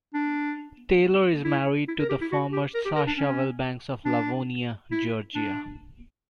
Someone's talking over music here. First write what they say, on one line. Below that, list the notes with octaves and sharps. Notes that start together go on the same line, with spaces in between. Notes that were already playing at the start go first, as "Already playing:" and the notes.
Taylor is married to the former Sacha Wilbanks of Lavonia, Georgia.
D4
E4
E4
A#4
G4
E4
F#4
G4
A#4
G4
A#4
D4
C#4
D4
E4
D4